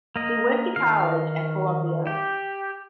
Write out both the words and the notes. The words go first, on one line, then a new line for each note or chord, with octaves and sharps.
He went to college at Columbia.
A#3 D#5
D#3 F5
G4